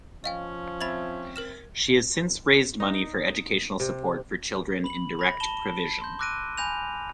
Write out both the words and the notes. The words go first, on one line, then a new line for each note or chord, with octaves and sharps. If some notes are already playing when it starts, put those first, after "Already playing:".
She has since raised money for educational support for children in direct provision.
F3 C#4 D#5 F5 G5
C4 E5 B5 G#6 A6 F#7
A#4 F6 E7
D#4
C3
B5 F#7
B5 A#6
A5 B5 E7 G7
C6 G6
D6 E6 F#6 A#6 D7 D#7
G#5 B5 G6 A#6 F7